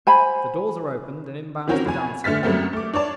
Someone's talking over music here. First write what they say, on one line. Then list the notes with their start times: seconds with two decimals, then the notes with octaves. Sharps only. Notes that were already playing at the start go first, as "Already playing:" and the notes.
The doors are opened and in bounds the dancer.
0.07 C5 G#5 B5
1.68 D#3 E3 C4 C#4 F#4 A#4
1.86 F2 G#5
2.24 D3 A3 F6 A6 B6
2.43 F#2 F#3 G3 A3 A#3 C4
2.73 A3 D6
2.94 D4 C#5 D5 A5